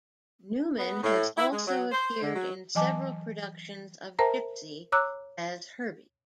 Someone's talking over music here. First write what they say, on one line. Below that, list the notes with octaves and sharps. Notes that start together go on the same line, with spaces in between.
Newman has also appeared in several productions of "Gypsy" as Herbie.
B3
A2
E4
G#3
F#3
C5
D3
F#3
E3 F#3 D#5 G#5 A5 D6
A#4 C5 E5 G5 A5 A#5
C#5 A#5 D6 E6 F#6